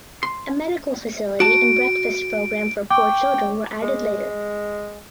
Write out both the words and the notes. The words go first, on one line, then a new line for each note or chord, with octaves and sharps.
A medical facility and breakfast program for poor children were added later.
C6
F#4 A5 D7
G5 C#6 D6
G#3